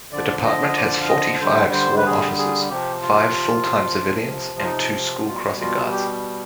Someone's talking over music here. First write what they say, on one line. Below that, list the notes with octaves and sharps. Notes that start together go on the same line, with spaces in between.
The Department has forty-five sworn officers, five full-time civilians and two school crossing guards.
D3 F3 D5
D#5
D#5
D5
F5
D#5
D3 G3 C5
C5
B4
G#4
G#4
C3 F3 G4
F4
C3 F3
F4
D#4
B2 G3 F4
F4
G4